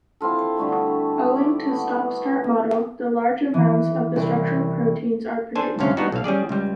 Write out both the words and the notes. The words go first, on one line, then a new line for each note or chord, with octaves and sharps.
Owing to stop-start model, the large amounts of the structural proteins are produced.
C4 E4 F4 A4
D3 G3 A3 F#4
D5 D6
B3
E3
C2
D4 A4 C5 G#5 A5
D2 G2 C3 C#4 F5
G3 B3 D4 D#4 F#4
B1 F5
G3 C#4 G#4 D5
C#2 G3